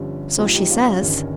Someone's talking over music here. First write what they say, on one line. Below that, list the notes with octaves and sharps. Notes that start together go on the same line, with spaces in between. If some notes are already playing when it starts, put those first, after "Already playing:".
"So she says."
Already playing: G1 G2 F3 C#4
C2 A#2 F3 G#3 C4 D#4
D#4 G4
C#4 F4
C#4
G1 G2 D#3 C#4